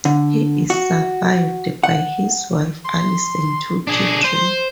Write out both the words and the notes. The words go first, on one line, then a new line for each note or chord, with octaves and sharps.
He is survived by his wife, Alice and two children.
D3
F#4
F#5
C6
D4 G#4
C5 C6